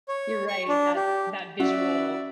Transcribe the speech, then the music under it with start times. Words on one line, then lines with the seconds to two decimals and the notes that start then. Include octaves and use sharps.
You're right, that that visual
0.08 C#5
0.48 C#6
0.68 D4
0.95 G4
1.60 C#4 F#4 D5 E5